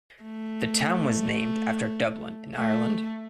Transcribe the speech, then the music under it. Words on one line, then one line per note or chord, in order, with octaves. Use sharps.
The town was named after Dublin in Ireland.
A3
A3